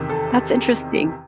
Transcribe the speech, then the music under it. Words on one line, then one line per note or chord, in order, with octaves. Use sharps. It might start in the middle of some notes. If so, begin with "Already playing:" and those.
that's interesting.
Already playing: E2 C3 D#3
A4